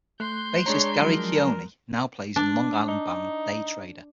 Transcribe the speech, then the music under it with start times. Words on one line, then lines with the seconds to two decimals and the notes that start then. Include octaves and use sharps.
Bassist Gary Cioni now plays in Long Island band Daytrader.
0.20 A3 C6 F#6 G6
0.66 G#3 D4 C#5 A#5
1.00 F3 F#3 A#4
2.36 D4
2.88 D#4